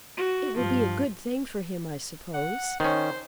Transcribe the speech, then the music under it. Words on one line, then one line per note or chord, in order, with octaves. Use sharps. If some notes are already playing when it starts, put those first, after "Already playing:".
"It will be a good thing for him, I suppose."
F#4
G2 F3
F#5
D#3 C#4 C5